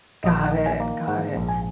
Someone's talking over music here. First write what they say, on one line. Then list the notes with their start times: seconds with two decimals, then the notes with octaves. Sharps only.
Got it. Got it.
0.24 A#1 D#5
0.44 F#5
0.52 D#3
0.66 G#5
0.80 A#3
1.08 G#2 F#5
1.35 A#1
1.49 G#5